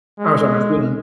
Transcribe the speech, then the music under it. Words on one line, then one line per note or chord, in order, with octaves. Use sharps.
I lose all my freedom,
G#3